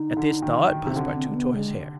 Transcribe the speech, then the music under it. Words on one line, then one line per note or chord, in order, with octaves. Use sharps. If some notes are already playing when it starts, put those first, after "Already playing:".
At this thought Passepartout tore his hair.
Already playing: D3 D#4
D3
D#3
D#3
C3
D3 C4
C4
G#3
B3
G#3